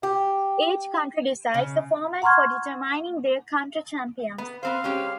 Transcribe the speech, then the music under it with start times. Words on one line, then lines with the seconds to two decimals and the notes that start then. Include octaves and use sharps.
Each county decides the format for determining their county champions.
0.03 G4
1.54 C#3
2.22 F#5 A#5 C6 C#6 F6 G#6
4.38 B3
4.63 B3 C4 C5 F5
4.84 G#3 C#4 G4